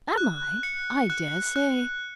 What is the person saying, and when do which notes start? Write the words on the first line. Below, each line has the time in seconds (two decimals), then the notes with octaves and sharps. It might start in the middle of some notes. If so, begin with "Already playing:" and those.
'Am I? I dare say.
0.17 F#6
0.63 C#7
1.10 F#6
1.56 F#6